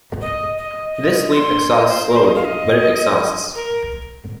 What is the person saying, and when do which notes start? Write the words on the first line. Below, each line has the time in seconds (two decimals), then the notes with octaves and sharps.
This sleep exhausts slowly, but it exhausts.
0.21 D#5
0.58 D#5
0.95 D#5
1.32 C6
1.70 D#5
1.89 C5
2.07 A#4
2.16 C5
2.25 D#5
2.35 F5
2.45 D#5
3.55 A#4